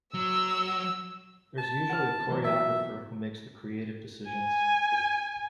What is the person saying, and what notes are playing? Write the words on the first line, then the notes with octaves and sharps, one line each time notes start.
There is usually a choreographer who makes the creative decisions.
F#3 E6
A5
F#5 F6
B2 E3 F#3
E5
G#5